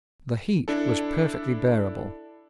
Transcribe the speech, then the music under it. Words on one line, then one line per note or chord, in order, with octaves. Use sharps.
The heat was perfectly bearable.
D4 E4 A4